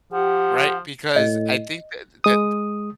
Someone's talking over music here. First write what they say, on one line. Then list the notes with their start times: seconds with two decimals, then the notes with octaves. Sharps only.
Right? Because I think that that
0.12 F3 G4 F#5
1.16 A2 D#5
2.24 G#3 D#6